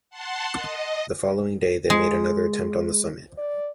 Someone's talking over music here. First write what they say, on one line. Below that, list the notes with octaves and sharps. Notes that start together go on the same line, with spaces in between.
The following day they made another attempt on the summit.
F#5 A5 C6
D#5
G#3
D5